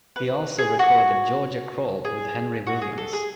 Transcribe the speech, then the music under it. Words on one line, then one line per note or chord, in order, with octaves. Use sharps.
He also recorded "Georgia Crawl" with Henry Williams.
B4
G#4
F#4
G#4
F#4
G#4
A4
G#4